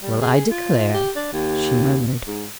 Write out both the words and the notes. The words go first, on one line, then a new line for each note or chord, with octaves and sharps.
'Well, I declare,' she murmured.
G3
G#4
F4
G4
D4
D#2
G#2